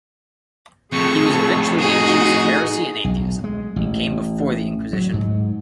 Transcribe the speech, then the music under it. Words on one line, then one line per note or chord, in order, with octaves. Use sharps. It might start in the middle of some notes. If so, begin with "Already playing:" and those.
He was eventually accused of heresy and atheism, and came before the Inquisition.
F2 A2 F4 G#4 A4 C#6
D#4 F#4 G#4
B1
G#3
A1
F#3
G#2